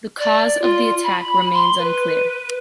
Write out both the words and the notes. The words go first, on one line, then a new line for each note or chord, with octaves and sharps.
The cause of the attack remains unclear.
D5
F4
B5
C6
B4